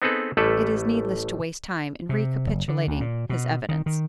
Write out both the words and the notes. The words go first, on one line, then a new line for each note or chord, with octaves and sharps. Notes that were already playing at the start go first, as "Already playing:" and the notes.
It is needless to waste time in recapitulating his evidence.
B3 C4 D#4 G#4 A4 B4
A1 G3 A3 E4 A4 B4
C3
F#1
D3
D2
A#2
B2
D#3
D#3